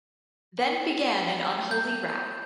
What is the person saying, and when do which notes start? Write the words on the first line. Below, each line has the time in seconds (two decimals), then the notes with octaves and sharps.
Then began an unholy row.
1.71 G6